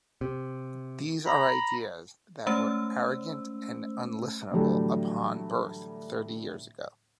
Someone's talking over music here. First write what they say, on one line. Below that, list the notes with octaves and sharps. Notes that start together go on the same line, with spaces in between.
These are ideas that were arrogant and unlistenable upon birth thirty years ago.
C3
A#5 B5
G#3 A3 C#4 C5 E6
A2 D3 E3 F#3 G3 A3